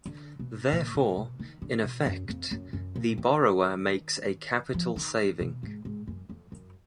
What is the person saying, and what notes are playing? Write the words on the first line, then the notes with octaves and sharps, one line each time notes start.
Therefore, in effect, the borrower makes a capital saving.
D3
B2
A#2
A#2
B2
D#3
D3
B2
F#2
F2
F#2
F#2
A#2
D#3
F3
D#3
B2
G#2
G#2
F#2
F2
F#2